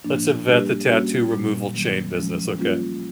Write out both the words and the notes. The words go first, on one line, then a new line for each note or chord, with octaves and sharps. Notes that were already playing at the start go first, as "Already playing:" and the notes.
let's invent the tattoo removal chain business. Okay?
A2 F3 A#3 D4
G3 A#3 D4 G4
G3 A#3 C#4 F#4
A#2 G3 A#3
D#3 F#3 A#3
F3 G#3 C#4
G3 A#3 C#4 F4